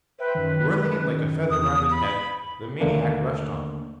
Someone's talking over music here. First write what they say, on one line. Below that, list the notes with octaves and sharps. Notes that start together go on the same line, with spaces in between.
Whirling it like a feather round his head, the maniac rushed on.
B4 C5 E5 G5
F#2 D#3
E2 D#6
B5
D#2 D3 A3 A#3 D4